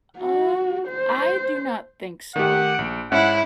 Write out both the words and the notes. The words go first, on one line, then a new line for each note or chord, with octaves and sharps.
Um, I do not think so.
F#4
C5
D#3 A3 G4 F#5
A#1 D7
G#2 C#4 E4 E5 F#5